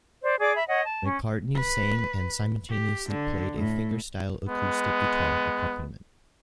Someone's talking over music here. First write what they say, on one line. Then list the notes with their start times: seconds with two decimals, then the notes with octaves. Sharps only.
McCartney sang and simultaneously played a fingerstyle acoustic guitar accompaniment.
0.22 C5 D5
0.40 G#4 D5 D6
0.56 E5 B5
0.67 C#5 D#5 F#5
0.83 A5
1.04 C#4
1.55 B4
2.70 G4
3.10 D3
3.56 A2
4.48 G#3 B3